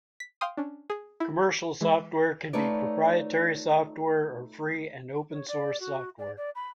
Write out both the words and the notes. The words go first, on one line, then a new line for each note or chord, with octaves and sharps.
Commercial software can be proprietary software or free and open source software.
B6
F5 G5 C6 D#6
C#4 D4
G#4
E4
E3 G#3
A3 D#4 F4 B4 C#5 D5
C#5
D5
F#4
D5
D5
B5